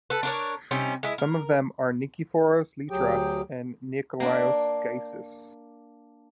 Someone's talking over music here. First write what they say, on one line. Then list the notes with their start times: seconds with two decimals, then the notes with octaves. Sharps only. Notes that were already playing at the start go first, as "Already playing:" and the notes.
Some of them are Nikiphoros Lytras and Nicholaos Gysis.
0.10 A4 B4
0.23 D4 A#4 C#5
0.71 C3 G3 C#4 D#4
1.03 G#3 E4
1.18 A#4
2.90 D2 F#3 G4 G#4 G5
4.20 A#3 D4